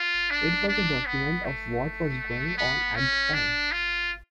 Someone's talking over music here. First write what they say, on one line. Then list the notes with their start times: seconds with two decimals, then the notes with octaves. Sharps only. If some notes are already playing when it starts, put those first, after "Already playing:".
It was just a document of what was going on at the time.
Already playing: F4
0.31 D4
0.68 D4
1.07 B3
1.45 A3
2.58 B3
2.95 C#4
3.34 D4
3.72 F4